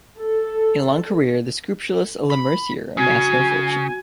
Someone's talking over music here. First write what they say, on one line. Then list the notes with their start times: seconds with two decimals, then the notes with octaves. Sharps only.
In a long career, the scrupulous Lemercier amassed no fortune.
0.18 A4
2.30 B5
2.97 C#3 F#4 G#5